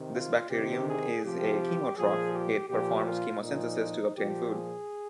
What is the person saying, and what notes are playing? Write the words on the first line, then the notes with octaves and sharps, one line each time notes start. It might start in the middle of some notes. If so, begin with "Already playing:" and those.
This bacterium is a chemotroph-it performs chemosynthesis to obtain food.
Already playing: C3 D#3
F4
C3 D#3 G4
G#4
C3 F3 G4
A#2 F3 G#4
G4
A#2 F3 G4
F4
A#2 F3 D#4
A#2 F3 G4
G#4